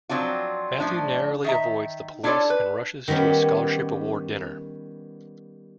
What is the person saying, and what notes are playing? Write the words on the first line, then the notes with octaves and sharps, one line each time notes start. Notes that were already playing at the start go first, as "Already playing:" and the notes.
Matthew narrowly avoids the police and rushes to a scholarship award dinner.
F3 F#3 C4 D4 F4
A2 F3 D4
D#3 E5 A#5
D4 E4 F4 A4 C#5 D5
B4
D#3 G3 B3 C#4 B5